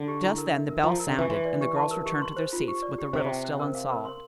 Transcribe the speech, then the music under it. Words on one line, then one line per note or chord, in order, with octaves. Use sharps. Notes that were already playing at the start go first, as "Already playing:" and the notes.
Just then the bell sounded and the girls returned to their seats with the riddle still unsolved.
Already playing: D3
G4
E4
A#4
E5
A#4
F3 A#5
A#4
D3
E3 G4
E3 C6
D5
G4
A5
A#4
G4
C6
C5
F4
G4
D5
G4
C3 C5
G5
C5
A#4
F5
A#4
C6